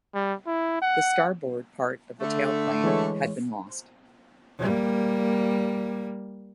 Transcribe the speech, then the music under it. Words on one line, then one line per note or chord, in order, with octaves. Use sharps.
The starboard part of the tailplane had been lost.
G3
E4
F#5
D3 A3
E3 G#3 C#5
G3 A#3